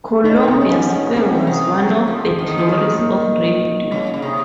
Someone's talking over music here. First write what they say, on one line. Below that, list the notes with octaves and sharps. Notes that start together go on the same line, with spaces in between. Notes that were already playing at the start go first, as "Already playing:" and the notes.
Columbia Square was one of the glories of radio.
C#3 D#4
A#2
C3
C#4
G#2
G#2
A#2
G#2 C4
C3
F#3
F3
D#3
F3
D#3
A#3
C#3
C#3
C3